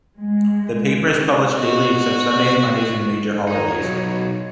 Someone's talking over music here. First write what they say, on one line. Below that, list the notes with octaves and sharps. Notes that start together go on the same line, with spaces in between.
The paper is published daily except Sundays, Mondays and major holidays.
G#3
B3 F#4 D#5
D#3 D#4 C#5
B1 F#3 D#4